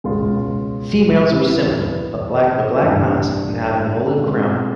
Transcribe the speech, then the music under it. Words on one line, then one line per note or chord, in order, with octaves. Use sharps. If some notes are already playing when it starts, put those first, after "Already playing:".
Females are similar, but lack the black mask and have an olive crown.
C#2 B2 G#3 C#4 F4
E3 G3 B3 E4
G2 E3 A3 D4
B2 G#3 C4 F4